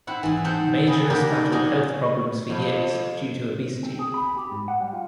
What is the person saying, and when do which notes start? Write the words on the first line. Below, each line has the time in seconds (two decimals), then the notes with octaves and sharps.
Majerus battled health problems for years due to obesity.
0.07 C4 E4 F#5
0.23 G#2 E3
0.44 C4 D#4 A4 F#5 G5
0.87 E3 G3 G#4 D#5
1.10 D3 A#3 D#4 G4 A#4
1.52 C3 F#3 D5 D#5 G#5 A#5
2.50 F2
3.83 C4
3.99 G#4
4.14 B5
4.37 G4
4.51 G#2
4.68 F#5
4.81 G3
4.93 F4